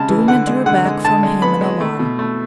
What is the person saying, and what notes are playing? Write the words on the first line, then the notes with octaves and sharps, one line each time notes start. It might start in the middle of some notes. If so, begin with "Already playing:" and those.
Dounia drew back from him in alarm.
Already playing: C#3 G#3 A5
E3
D3 F#5
G#3
D3 F#5
G#3
D3 A5
G#3
B3 B5
G#3
A3
B2
A3